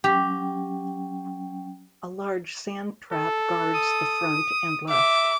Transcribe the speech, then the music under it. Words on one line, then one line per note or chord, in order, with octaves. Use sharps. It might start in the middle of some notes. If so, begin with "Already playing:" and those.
A large sand trap guards the front and left.
F#3 C#4 G4 G5
A4
D#6
E5 D6